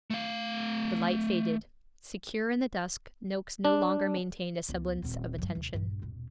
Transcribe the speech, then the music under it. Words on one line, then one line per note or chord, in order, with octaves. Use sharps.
The light faded. Secure in the dusk, Noakes no longer maintained a semblance of attention.
A3 F5
D4
C#2 B3
D#1 C4
G2 F#3
D#2 C3
A#1 G2
D#1 B2